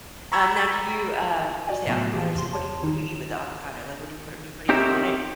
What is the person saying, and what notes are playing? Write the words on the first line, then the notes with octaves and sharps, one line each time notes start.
Um, now, do you, um you say avocado, so what do you what do you eat with the avocado? Like, what do you put do you put anything on it?
A#5 B5 C#6 E6 G#6 A6
F#4 D5 D#5 G5 G#5
A2 C3 F#3 A3 B3 F#4
E3 A#3 G4 G#4
E2 C3 C6
C#5 A5
D#3 D#4
C4 D#4 G4 A#4 C#5 E5